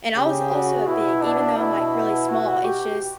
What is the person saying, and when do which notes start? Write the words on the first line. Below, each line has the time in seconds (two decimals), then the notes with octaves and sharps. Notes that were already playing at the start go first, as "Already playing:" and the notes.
And I was also, uh, big, even though I'm, like, really small. It's just,
0.15 C#3 G4
0.51 F#4
0.87 B2 E4
1.22 D4
1.57 B2 E4
2.29 F#4
2.64 G4